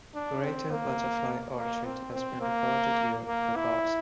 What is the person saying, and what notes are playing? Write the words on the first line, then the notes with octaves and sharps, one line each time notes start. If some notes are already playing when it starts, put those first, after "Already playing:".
Greater Butterfly Orchid has been recorded here in the past.
D4
C4
A#3
A#3
C4
C4
A#3
A#3
E4